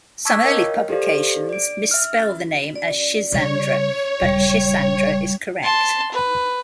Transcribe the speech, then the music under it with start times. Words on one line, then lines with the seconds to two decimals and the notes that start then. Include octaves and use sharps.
Some early publications misspell the name as "Schizandra," but "Schisandra" is correct.
0.25 A5 C#6 D6 E6 G#6 B6
0.44 A#4 C#5 D#5 F5 G5
0.89 G4 A4 C5 D5 F5
1.49 D5 D7
1.91 E5 F6
2.22 A6
2.76 D5
3.32 C#3 G3 C#5
4.22 D#1 C#3 G3
5.63 A5 C6
6.12 B4